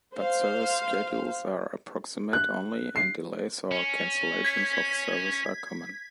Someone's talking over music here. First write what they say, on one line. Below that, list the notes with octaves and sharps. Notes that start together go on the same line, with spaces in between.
But service schedules are approximate only and delays or cancellations of service are common.
C5 F5
F#6
C7
C#4
G#6 B6